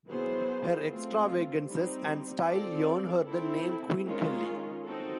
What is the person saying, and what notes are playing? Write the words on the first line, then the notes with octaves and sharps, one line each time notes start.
Her extravagances and style earn her the name Queen Kelly.
F#3 B3 E4 G#4 C5
A3 C4 F4
G3 C4 D#4
C4 F4 A4 D5
C4 E4 A4
D#3 G#3 C#4 F4
C4 D#4 F#4 A4